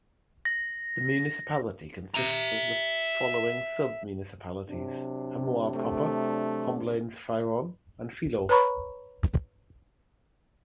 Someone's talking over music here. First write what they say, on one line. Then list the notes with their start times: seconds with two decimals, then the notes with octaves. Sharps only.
The municipality consists of the following sub-municipalities: Hamoir proper, Comblain-Fairon, and Filot.
0.45 A#6
2.14 E5 A#5
4.69 C3 F#3 D4
5.76 A3
8.49 B4 C#5 A#5 B5 C#6